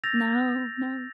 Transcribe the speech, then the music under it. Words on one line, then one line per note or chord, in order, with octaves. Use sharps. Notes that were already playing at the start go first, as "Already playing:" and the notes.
No. No.
E6 G6 A6 A#6 F7